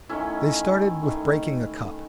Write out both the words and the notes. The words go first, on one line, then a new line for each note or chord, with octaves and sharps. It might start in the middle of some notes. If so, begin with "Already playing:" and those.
They started with breaking a cup.
D#3 A3 C#4 E4
D#3 A3